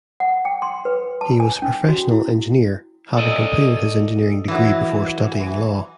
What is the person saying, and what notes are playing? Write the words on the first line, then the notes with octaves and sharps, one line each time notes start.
He was a professional engineer, having completed his engineering degree before studying law.
F#5
G5
C6
B4
A5
G#5
C#4
F#4
E4
A4 D5 D#5
E3 F#3